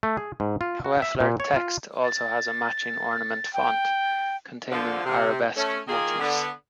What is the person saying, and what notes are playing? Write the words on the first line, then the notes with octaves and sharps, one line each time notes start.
Hoefler Text also has a matching ornament font containing arabesque motifs.
A3
G#4
G#2
F4
F#4
E5
A#2
C#5
F4
A6
G5
D3 F3
C3
A3 C#4
D#3 A#3 F4 G#4
D3 B3